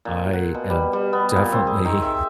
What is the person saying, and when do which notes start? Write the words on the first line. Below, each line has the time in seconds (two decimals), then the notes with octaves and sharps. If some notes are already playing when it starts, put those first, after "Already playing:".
I am definitely
0.05 A#2
0.33 F#5
0.55 B2
0.70 G3
0.93 G3
1.13 B3
1.36 A#2
1.52 C4
1.67 G#4
1.85 D#3
2.02 E5